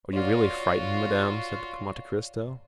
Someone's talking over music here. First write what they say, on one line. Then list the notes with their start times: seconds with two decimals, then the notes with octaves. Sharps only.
"Are you really frightened, madame?" said Monte Cristo.
0.13 F4 F#4 C#5 D5 F5